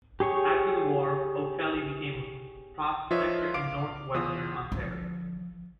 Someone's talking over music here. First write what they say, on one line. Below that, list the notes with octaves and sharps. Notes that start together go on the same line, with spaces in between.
After the war, O'Kelly became a prospector in Northwestern Ontario.
G4 G#4 C#5 C#6
F3 F4 B4 C#5 D#5 E5
F5 D6 D7
E2 F4 D#6
D3 F3